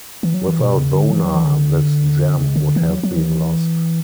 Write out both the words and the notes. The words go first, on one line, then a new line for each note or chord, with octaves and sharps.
Without Bonar this gem would have been lost.
E3
F#3
E3
B2
C#3
D3
F#3
E3
F#3
E3
D3
C#3
D3
E3
F#3
F#3
E3